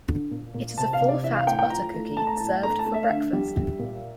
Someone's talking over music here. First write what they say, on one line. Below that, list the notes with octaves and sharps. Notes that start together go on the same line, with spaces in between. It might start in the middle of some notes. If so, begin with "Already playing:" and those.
It is a full fat butter cookie served for breakfast.
D3
A#2
A#2
C3 A5
F5
C3
D5
E3 E5
F5
A2 G5
G5
F3 A#5
A3
A3 A5
A#5
A2 A5
A3 A#5
A5
A3
E5
F5
D3 E5
G3
G3
A#2